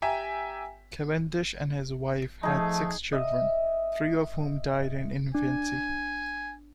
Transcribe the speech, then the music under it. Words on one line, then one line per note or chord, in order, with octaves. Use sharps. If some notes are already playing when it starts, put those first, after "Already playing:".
Cavendish and his wife had six children, three of whom died in infancy.
G4 E5 G5 G#5 A#5
F3 A3 D#4 G#4
D#5 E5
D4 G#5